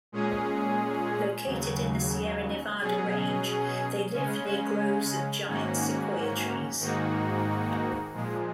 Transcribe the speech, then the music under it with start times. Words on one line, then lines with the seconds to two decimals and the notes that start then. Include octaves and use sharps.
Located in the Sierra Nevada range, they lived near groves of giant sequoia trees.
0.12 A#2 G#3 C#4 G#4
1.45 D#2 C#3 F#3
2.79 B2 F#3 C#4 G#4
4.13 C#3 G#3 C#4
5.47 G#2 D#3 A#3 C#4 F#4
6.80 G#2 D#3 A#3 D#4 F#4
8.14 A#2 F3 G#3